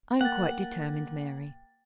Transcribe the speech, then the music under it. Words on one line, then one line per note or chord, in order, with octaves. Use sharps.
I am quite determined, Mary.
A#3 F#5 G5 A6